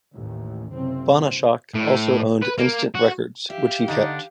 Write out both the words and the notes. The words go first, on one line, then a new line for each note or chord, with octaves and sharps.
Banashak also owned Instant Records, which he kept.
A1 D#2
F#1 C3 C4
A2
B4
A#3
F#4
G4 E5 F5
D3 D4 D#4 F#5